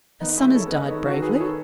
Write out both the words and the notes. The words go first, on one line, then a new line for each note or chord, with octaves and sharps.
Her son has died bravely.
D#3 B3 D#4
C#4 E4
G#3
A4 C#5
B3
B4 D#5
D#3 A4 C#5
F#4 A4
D#3
G#4 B4
D#3
A4 C#5